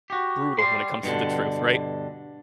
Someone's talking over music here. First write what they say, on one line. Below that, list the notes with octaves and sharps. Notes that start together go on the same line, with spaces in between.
brutal when it comes to the truth, right?
F#4 G4
G3 C6
G2 B2 D3